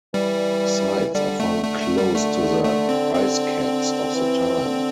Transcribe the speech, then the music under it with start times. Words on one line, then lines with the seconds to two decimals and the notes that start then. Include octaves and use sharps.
Sites are found close to the ice caps of the time.
0.14 E3 G3
1.14 D3 G3
1.40 A3
1.64 D3 A3
1.81 A3
1.98 G3
2.14 D3 A3
2.64 A3
2.89 C4
3.14 D3 C4
4.14 E3
4.65 D3